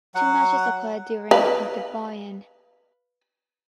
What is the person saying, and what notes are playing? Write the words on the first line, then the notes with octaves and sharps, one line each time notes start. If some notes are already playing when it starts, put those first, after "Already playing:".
Two matches occurred during the Buy In.
F#3 F#5
B4 F5